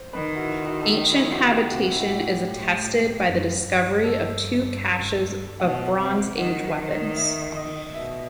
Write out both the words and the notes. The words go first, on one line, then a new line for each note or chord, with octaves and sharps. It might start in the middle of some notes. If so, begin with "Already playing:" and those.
Ancient habitation is attested by the discovery of two caches of Bronze Age weapons.
Already playing: C5
D#3 B4
F#4
E4
F#4
A4
G4
E4
F#4
G4
C3 F#4
E4
F#4
A2 G4
G4
F#2
G2
A4
B2 F#5
C3
D#3 F#5
E5
D#5
B2 E5